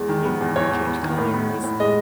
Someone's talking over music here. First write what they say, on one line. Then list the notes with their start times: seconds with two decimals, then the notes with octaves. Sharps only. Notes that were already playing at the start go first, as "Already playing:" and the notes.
you know, when they change colors
Already playing: E2 G#3
0.09 D#3
0.25 B3
0.41 E2
0.56 E2 C#5
0.71 E2
0.87 B3
1.03 D#3
1.18 A2
1.34 B3
1.49 A2
1.64 A2
1.80 G#3 D#5